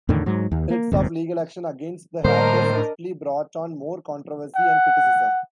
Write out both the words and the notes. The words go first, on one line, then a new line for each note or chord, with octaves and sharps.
Threats of legal action against the hackers swiftly brought on more controversy and criticism.
E2 A2 D3 D#3
G#2 F#3
D#2
A#3
D#1 D#2 G#2 C3
A2 D3 G3 A#3 D4 A#4 C5 D#5
F#5